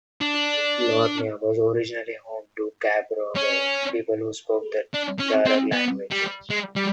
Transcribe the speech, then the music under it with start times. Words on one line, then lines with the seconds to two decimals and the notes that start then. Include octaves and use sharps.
Lurnea was originally home to the Cabrogal people who spoke the Darug language.
0.21 D4
3.36 C#4
4.94 D4
5.19 C#4
5.46 C4
5.72 B3
6.11 G3
6.51 G#3
6.76 G3